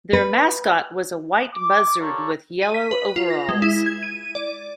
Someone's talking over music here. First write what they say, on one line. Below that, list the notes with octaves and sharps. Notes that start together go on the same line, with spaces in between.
Their mascot was a white buzzard with yellow overalls.
B4
D6
F4 G4 A4 A#4 C#5 D5
D#7
B6
B4
F4
A#6
G#3
E4
G#6
D#7
D5